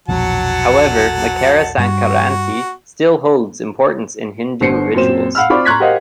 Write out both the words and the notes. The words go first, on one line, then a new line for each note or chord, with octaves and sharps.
However Makara Sankranti still holds importance in Hindu rituals.
E1 A#1 F3 F#3 F#5 A5
G2 G3 F#4
G1 D3 C5 C7 C#7
F#2 A#2 C4 C5 E7
F5 F#5 B5 E6 F6
C4 F4 D5 B5 C#6 D6
A#5 C6 C#6 F#6 G#6 B6
G4 A#4 C5 D#5 F5 F#5